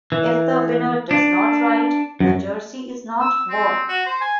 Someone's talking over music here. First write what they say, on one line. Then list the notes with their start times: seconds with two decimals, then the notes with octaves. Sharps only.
If the winner does not ride, the jersey is not worn.
0.12 E3
1.11 D4
2.20 F#2
3.21 E6
3.50 C4
3.89 F#4
4.06 C5
4.21 G#5